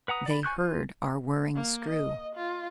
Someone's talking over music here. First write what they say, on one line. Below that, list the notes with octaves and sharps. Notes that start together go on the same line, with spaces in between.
They heard our whirring screw.
B4 F#5 A#5 D#6
D5 B5
G#5 C#6 F#6 G6
F4
A#3
D#5
F4